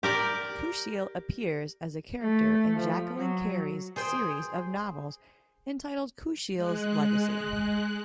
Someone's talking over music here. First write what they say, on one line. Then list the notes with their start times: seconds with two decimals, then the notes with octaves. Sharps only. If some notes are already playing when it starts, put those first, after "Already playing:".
Kushiel appears as a character in Jacqueline Carey's series of novels entitled Kushiel's Legacy.
0.03 G4 A#4 D5
2.22 A3
2.76 F3
3.17 F#3
3.96 G#4 C5 G5
6.55 G#3 F#6